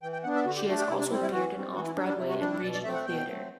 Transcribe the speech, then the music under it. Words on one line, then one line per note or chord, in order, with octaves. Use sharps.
She has also appeared in off-Broadway and regional theater.
E3 G5
G5
B3 D4 F#5
E5
D3 F#4
G4
A3 D4 F#4
G4
C3 E4
D4
G3 C4 E4
E4
E3 F#4
G3 C4
E3 F#4
E4
G3 D4
D4
C3 E4
F#4
G3 D4
E4
B2 D5
D5
A3 C4 E5
F#5
B2 G5
F#3 A3 C4